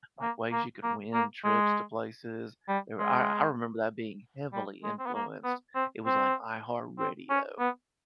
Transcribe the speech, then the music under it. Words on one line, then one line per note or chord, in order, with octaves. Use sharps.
like, ways you could win trips to places. There I I remember that being heavily influenced. It was, like, iHeartRadio,
A#3
A#3
A#3
A#3
G#3
G3
G#3
G3
G#3
C4
B3
A#3
B3
C4
C4
C4
C#4
B3